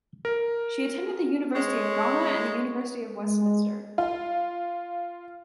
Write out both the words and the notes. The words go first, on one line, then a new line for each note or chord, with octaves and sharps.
She attended the University of Ghana and the University of Westminster.
A#4
G#3 C#5
G#3
F4